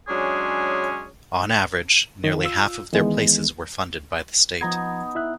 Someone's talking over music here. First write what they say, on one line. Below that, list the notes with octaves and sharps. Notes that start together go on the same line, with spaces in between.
On average, nearly half of their places were funded by the state.
F#3 G#3 C#4 D4 G#4
D#3
F4 E6
D#3 E3 G#3 B3
F3 B3 D#4 A#5 G#6
E4 E5 F#6